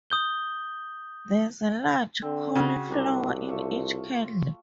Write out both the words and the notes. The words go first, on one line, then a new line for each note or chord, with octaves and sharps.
There's a large cauliflower in each candle.
D#6 G6 G7
D3 C4
C#3 F#4
C2 F#3 G3 D4
A3 F4 C#6